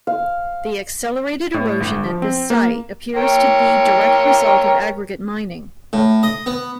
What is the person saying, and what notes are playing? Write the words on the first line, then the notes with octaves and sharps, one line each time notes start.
The accelerated erosion at this site appears to be direct result of aggregate mining.
F5
A2
G1
F3
C4
A#3
A#4 C#5 G5
A2
D#5
B3